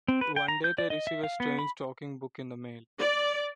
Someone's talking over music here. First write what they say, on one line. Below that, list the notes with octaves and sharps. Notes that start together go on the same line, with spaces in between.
One day they receive a strange talking book in the mail.
C4
B4
G5
A#5
G6
D5
D#5
E5
F5
B3
B5
D5